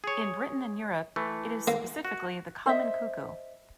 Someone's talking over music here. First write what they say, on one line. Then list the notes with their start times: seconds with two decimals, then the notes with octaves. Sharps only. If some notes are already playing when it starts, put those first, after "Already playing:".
In Britain and Europe, it is specifically the common cuckoo.
0.04 G#4 C#5
1.16 E3 A3
1.68 A#3
2.05 F#4
2.66 C5 D#5 E5